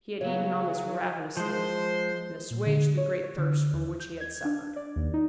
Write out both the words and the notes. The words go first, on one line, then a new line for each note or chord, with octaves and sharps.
He had eaten almost ravenously, and assuaged the great thirst from which he had suffered.
C#3 F#3 C#5
F3 G#3 C5
A#2
D3
C#5
C#5
D3
D#2
G6
G#6
D4
D5
D#2
D#4